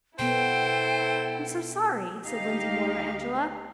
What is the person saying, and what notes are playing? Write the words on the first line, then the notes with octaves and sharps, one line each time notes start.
"I'm so sorry," said Wendy Moira Angela.
B2 B3 E4 A4 C5 G5
D2 D#4 G4 D#5 F5